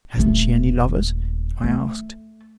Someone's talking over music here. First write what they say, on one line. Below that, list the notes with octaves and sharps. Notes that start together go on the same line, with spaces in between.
"Hasn't she any lovers?" I asked.
D#1 A3
A3